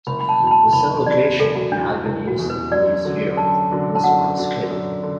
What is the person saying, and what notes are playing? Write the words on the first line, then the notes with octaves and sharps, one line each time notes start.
That same location had been used the previous year, on a smaller scale.
F#1 B5
B5
A5
E2 B2
B5
A5
F#1 B5
E2 B2 D5
F#1 A4
F#4
E2 B2 D4
E4
F#1 E4
F#4
E2 B2
B4
F#2 D5
D3 F#3 D4
F#2 A5
D3 F#3 D4
A5
F#2 F#5
D3 F#3 D4
F#2
D3